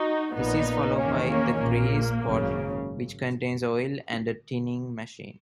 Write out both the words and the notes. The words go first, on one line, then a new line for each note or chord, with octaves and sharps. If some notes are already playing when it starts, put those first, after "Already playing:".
This is followed by the grease pot, which contains oil and a "tinning machine".
Already playing: D#4 F#4
A#1 A#2 B3 D#4
E2 D#3 A#3 C#4
A#3 C#4
A#1 A#2 A#3
G#1 F#2 C#3